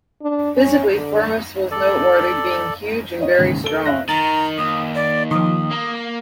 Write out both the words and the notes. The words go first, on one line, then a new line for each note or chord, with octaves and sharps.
Physically, Firmus was noteworthy, being huge and very strong.
D4
C#4
D3
A4 D5
C#5 D#5
A1 D#2 G#2 C#3
A4 D7 G7
E5 F5 F#6 A#6
D#3 A#5 A6
D#2 D#6
D5
D#3 F3 D#6
A#3